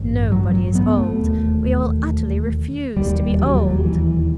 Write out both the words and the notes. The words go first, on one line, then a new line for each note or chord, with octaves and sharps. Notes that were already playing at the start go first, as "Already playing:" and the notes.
Nobody is old,--we all utterly refuse to be old!
Already playing: A1 G2
F#3
F#3
B3
A3
E1 D#2
E1 D#2 G3
F#3
G3
F#3
E3